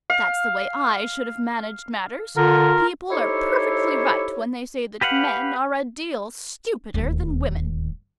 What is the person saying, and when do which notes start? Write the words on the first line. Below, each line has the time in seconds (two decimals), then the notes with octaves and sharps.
That's the way I should have managed matters! People are perfectly right when they say that men are a deal stupider than women!
0.10 F5
2.37 D3 F4 A#4
3.10 D#4 E4 G4 A4 C5 C#5
5.01 G4 B4 F5 F#5
6.94 D1 D#2